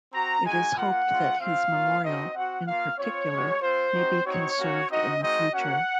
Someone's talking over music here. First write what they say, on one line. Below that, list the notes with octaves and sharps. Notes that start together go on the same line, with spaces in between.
It is hoped that his memorial, in particular, may be conserved in the future.
C4 F#4 A#5
G#3 D#4 F#4 G#5
A#3 F4 F#5
G#3 C#4 F4
C4 F4 F5
A#3 C#4 F4
C4 D#4 F#4 D#5
C4 F#4 F#5
A#3 F4 F5
C4 F4 C#5
G#3 C#4 F#4
C4 F4 C5
C4 D#4 F#4
C4 D#4 F#4 C#5
A#3 C#4 F#4
C4 D#4 F#4 D#5
G#3 C4 D#4 F#4 D#5
A#3 C#4 F#4 F#5